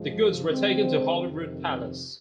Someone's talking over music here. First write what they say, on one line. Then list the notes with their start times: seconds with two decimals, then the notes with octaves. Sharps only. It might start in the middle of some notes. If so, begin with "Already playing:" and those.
The goods were taken to Holyrood Palace.
Already playing: G2 F3 G#3
0.47 D3 G#3 C4
1.25 F2 C3 D#3